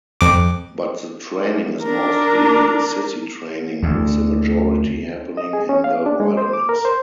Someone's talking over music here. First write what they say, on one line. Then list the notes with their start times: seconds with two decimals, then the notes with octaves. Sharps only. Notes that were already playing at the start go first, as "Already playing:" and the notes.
But the training is mostly sissi training with the majority happening in the wilderness.
0.21 F2 D6
1.83 D4 A#4
3.83 D2
5.37 D#5
5.53 G#4
5.69 C#4
5.84 F5
6.06 D4
6.20 G#3
6.37 C5
6.53 D6
6.69 A#4
6.85 C5